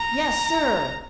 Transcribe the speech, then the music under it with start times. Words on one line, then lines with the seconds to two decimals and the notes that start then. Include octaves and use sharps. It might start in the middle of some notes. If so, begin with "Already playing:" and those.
"Yes, sir."
Already playing: A#5